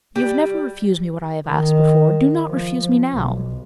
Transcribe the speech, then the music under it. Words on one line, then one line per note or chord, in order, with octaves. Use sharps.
You have never refused me what I have asked before, do not refuse me now.'
G3
D#3
F3
B1